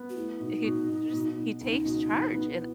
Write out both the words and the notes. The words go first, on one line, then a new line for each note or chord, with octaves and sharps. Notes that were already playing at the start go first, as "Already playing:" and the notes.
he just he takes charge, and
Already playing: B3
F#4
A3 E4
B2 D#4
B2
B2
B2
B2
C#2 D#4
B2
E3
B3
E4